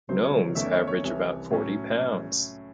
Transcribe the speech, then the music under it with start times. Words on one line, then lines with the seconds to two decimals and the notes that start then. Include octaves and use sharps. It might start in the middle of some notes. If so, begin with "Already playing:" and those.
Gnomes average about forty pounds.
0.09 C#2 C3 F#3 C5
0.24 C#5
0.55 E2 D#3 A3 C#4 E5
0.72 C#5
0.87 C#5
1.04 C2 C3 E3
1.51 A2 F#3 C#4